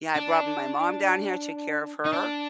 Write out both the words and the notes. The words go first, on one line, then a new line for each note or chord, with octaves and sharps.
Yeah, I brought my mom down here, took care of her
D4
D#4
D4